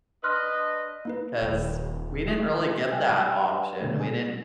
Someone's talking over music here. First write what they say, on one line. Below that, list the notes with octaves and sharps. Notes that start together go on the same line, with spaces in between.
'cause we didn't really get that option. We didn't
D4 B4 D#5 C6 F6 F#6
A#3 D#4 B4
D#1
A3 G#4
G2 G3 G5 G#5
B2 D3 A3
G#4